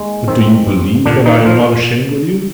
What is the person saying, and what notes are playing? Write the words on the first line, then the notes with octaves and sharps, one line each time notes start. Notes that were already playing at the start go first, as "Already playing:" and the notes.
"But do you believe that I am not ashamed with you?"
Already playing: D#2 G#3
D#3 C4
G2
A#2 D3 D4
D#3 D#4
F3 F4